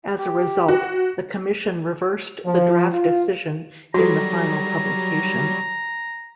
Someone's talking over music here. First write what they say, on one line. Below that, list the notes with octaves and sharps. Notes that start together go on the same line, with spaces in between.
As a result, the commission reversed the draft decision in the final publication.
G4
F#4
F3
F4
F#3 G3 F#4 A4 A#5